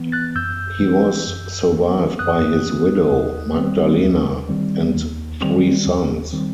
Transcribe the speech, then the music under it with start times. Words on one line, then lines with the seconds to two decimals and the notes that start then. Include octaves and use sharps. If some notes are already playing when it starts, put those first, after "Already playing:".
He was survived by his widow, Magdalena, and three sons.
Already playing: E3 B3
0.12 F#6 A6
0.35 F#2 E6 G6
0.82 E3 B3
1.27 F#2
1.73 E3 B3
2.19 F#2 D#6 F#6
2.66 E3 B3
3.11 D#2
3.56 D#3 G3 C4
4.03 D#2
4.49 D#3 G3 C4
4.95 D#2
5.41 D#3 G3 C4
5.87 D#2
6.33 D#3 G3 C4